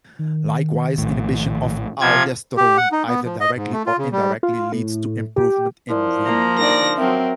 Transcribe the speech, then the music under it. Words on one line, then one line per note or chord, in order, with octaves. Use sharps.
Likewise, inhibition of aldosterone, either directly or indirectly, leads to improvement in remodeling.
D#3
A#1 A2
C3 F3 G#6
G4
F#5
D#4
B3
F3
D#5
G#2
A3
F4
C#3
G3
F4
A2
G4
F3 E4 A#4 D5
A#3 A#5
D4 D#4 A#4 D5 A#6
F#3 C4 A#4 E5